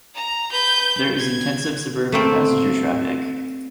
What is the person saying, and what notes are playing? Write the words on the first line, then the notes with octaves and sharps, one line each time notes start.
There is intensive suburban passenger traffic.
A#5
B4 G6
G#6
A3 A#3 C4